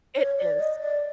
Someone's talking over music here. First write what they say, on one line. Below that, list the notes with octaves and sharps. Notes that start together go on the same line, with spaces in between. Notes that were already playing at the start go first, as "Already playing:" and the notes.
It is.
C#5
D5
D#5
D5